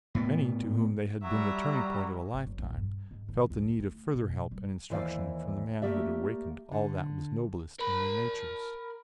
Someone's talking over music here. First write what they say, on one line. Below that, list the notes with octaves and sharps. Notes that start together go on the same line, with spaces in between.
Many to whom they had been the turning point of a lifetime, felt the need of further help and instruction from the man who had awakened all that was noblest in their natures.
A2 B3
F#3 G3 E5 A#5
G#1
F#1
A#1
G2
G#2
D3
C#2
C#3
A3
B2
G2
G3
D#2 E3 C5 D5 F5
A3 A#3 G4 D5 E5
D3
A#4 B5